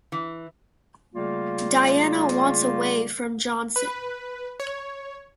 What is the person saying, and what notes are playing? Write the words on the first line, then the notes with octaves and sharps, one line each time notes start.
Diana wants away from Johnson.
E3
C#3 G3 A3 A#3 F4
B4
C#5